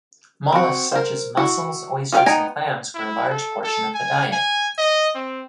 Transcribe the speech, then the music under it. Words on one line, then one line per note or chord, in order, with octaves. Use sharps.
Mollusks such as mussels, oysters, and clams were a large portion of the diet.
C4 F#4
A#4 C5
E4 F#4
F4 G#4 B4 F5 G5
B3 D#4 G5 G#5 A#5
E4
A4
A4
G#5
G#5
D#5
C4